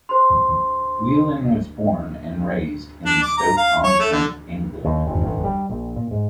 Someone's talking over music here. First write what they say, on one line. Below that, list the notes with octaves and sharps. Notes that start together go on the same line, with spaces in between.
Whelan was born and raised in Stoke-on-Trent, England.
C5 C6
D4
D6
A#5
F5
C#5
A3
D3
D#2
F#1
A1
G3
A#1
A#2
G#2